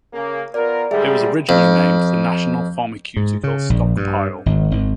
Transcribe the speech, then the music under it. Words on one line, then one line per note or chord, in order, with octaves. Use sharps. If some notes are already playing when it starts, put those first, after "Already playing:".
It was originally named the National Pharmaceutical Stockpile.
C#3 A#3
B3 F4 A#4 D5
G#2 D3 G3 G#4 E5
F2
G#2
C#3
A#1
G2
G#1
G#1